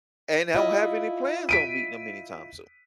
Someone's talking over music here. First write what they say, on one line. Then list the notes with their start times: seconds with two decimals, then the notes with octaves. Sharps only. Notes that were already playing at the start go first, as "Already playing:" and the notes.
and I don't have any plans on meeting ‘em anytime soon.
0.55 E4 F4 D#5
1.49 B6 D7 D#7